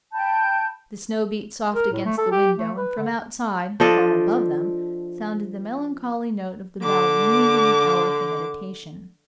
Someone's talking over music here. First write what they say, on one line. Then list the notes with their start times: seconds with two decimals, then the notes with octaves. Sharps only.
The snow beat soft against the window, and from outside, far above them, sounded the melancholy note of the bell ringing in the hour for meditation.
0.13 G5 A5 B5 G6
1.74 A#4
1.92 A2
2.06 A3
2.18 A4
2.32 G4
2.57 A3
2.77 B4
2.98 D3
3.80 F3 D4 A4 D#5
6.82 D3 D6